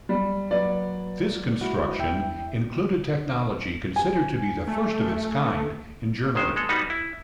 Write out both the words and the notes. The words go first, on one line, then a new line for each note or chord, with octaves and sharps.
This construction included technology considered to be the first of its kind in Germany.
G3
F#3 A#3 B4 D5
G#3 E4 F#4
E2 E5 G5
G#5
A3
G1 D#3 G#3 C5
G#3 A4
G3 B3 D#4 F#4
E4